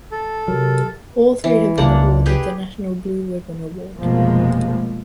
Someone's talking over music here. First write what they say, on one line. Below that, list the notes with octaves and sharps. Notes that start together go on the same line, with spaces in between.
All three have been awarded the National Blue Ribbon Award.
A4
C3 F#3 A#4
E3
C#2 C#3 A#3 D4 F#5
G4 G#4 B4
F1 B2 F3 G#3 A#3